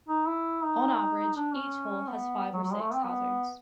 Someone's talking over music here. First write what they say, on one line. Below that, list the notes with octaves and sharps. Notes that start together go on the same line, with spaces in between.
On average, each hole has five or six hazards.
D#4
E4
D#4
D4
C#4
B3
F#3
F#3
G#3
A3
C4
B3